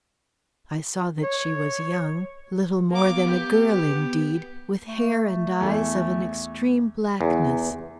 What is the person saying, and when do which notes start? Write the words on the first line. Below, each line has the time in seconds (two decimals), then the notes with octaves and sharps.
I saw that she was young, little more than a girl indeed, with hair and eyes of an extreme blackness.
1.23 C#5
2.91 A#3 B3 D6
3.25 G4
4.86 A3
5.61 E2 A4
7.21 E2